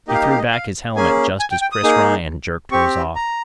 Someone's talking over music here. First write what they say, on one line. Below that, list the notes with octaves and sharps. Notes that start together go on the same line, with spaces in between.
He threw back his helmet just as Chris Ryan jerked hers off.
A#3 D#4 G4 D#5
F5
D#5
F5
D#5
F5
A#3 C#4 G#4 G#5
G#5
G5
G5
D#6
A#3 D#4 G#4
C4 G4 C#6
A#5